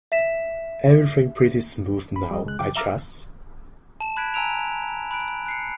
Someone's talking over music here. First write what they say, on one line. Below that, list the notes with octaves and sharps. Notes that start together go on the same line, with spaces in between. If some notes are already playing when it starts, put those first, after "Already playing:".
Everything pretty smooth now, I trust?
E5 B6 E7
B5
G3 D#5
C#2 G#3 F#6
F#2 C#3 F3 G5 D6
E5 F5 A#5 D6 E6 F6
A5 E7
B5 F#6 G#6 B6 D7
G#5 A#5 E6 D7 F7
B5 F#6 D7
F#6 C7 C#7